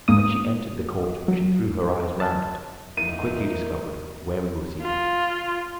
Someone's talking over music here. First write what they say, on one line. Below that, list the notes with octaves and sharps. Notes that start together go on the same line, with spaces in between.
When she entered the court she threw her eyes round it and quickly discovered where we were seated.
G#2 A#3 D#6
F#3
A5
F2 A#3 D#4 E4 A#4 D#7
F4